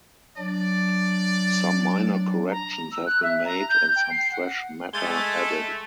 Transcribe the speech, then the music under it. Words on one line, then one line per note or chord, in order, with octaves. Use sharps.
Some minor corrections have been made and some fresh matter added.
F#3 D4 D5
A#5
E6
F#6
E5
A#5
G6
G5
C7
F#5
G#3 A3 A6 G7